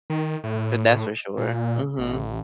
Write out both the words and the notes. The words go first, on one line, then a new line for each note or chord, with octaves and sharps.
So that's for sure. Mhm.
D#3
A2
A#2
A1